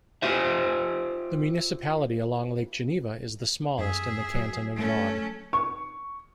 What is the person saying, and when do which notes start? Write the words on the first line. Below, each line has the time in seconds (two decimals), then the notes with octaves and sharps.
The municipality along Lake Geneva is the smallest in the Canton of Vaud.
0.22 F4 G4 C5 E5
3.78 F#2 G#4 E5
4.34 F#3
4.76 A3 C#4
5.53 C#6